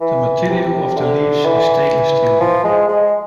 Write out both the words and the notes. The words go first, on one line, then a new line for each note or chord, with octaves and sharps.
The material of the leaves is stainless steel.
E3
C3
D3
E3
F3
G#3
G#3